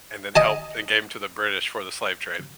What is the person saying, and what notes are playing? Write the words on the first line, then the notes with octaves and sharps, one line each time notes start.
and then helped and gave 'em to the British for the slave trade,
D#5 G#5 A5